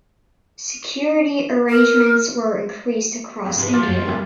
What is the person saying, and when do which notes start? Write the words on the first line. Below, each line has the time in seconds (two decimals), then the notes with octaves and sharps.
Security arrangements were increased across India.
1.70 A#4
3.45 F2 A#2
3.58 G#2 C3 F3 B4
3.73 F3 G3 F4 F#4 D6
3.88 F#2
4.06 B1 C3 A#3